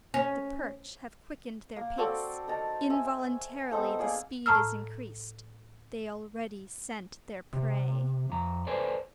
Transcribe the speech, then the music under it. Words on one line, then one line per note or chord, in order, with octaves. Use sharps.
The perch have quickened their pace; involuntarily the speed is increased; they already scent their prey.
C#4
A#3
C4 F#4 A4 D5
D#4 A#4 A5
E5 G#5
B3 C4 D#4 A4
A#3 G#4 D5
A2 A5 A#5 E6 F6
C3
F2 A#5
A4 B4 C5 D5 G#5